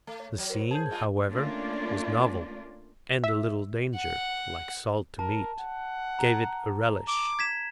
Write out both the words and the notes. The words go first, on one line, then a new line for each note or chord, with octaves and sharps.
The scene, however, was novel, and a little danger, like salt to meat, gave it a relish.
A3
C#5
F#3
A#4 C5 C#5
G#4 A5 G6
G#3 F4
A3 A#3 C#4 D4 F4 D5
E5
F#5
A#4 A5
F#5
A#5
D6
G#6 B6 E7